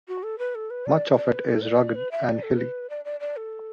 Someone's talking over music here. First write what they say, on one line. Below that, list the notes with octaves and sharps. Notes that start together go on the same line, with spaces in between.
Much of it is rugged and hilly.
F#4
A4
B4
A4
B4
D5
D5
B4
A4
D5
B4
E5
D5
A4
B4
D5
D5
D5
A4